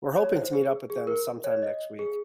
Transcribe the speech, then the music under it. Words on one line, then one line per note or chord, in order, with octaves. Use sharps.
We're hoping to meet up with them sometime next week.
C#5
C5
G#4
G#4
A#4
C#5
D#5
G#4